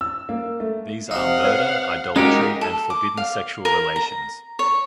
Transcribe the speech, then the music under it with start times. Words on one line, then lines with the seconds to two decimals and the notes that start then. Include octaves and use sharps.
These are murder, idolatry, and forbidden sexual relations.
0.01 E6
0.29 A#3
0.60 A3
1.11 C3 D#4 F5 F#5
1.45 B4 C#5
2.16 G#3 C#4 D#4 F#4 G4 A#4 F5
2.61 A4
2.90 D6
3.17 F5
3.65 A#4
3.96 A#5
4.59 C#5